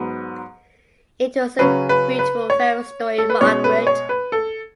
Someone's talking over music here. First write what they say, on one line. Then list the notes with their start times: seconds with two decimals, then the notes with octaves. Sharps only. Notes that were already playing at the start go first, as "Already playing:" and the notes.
It was a beautiful fairy story, Margaret.
Already playing: G#2 F#3 B3
1.59 C#3 F#3 C#4 B4
1.89 B4
2.19 B4
2.50 C#5
3.18 A4
3.30 B4
3.41 B2 G#3 C#4 C#5
3.64 B4
3.87 C#5
4.09 B4
4.32 A4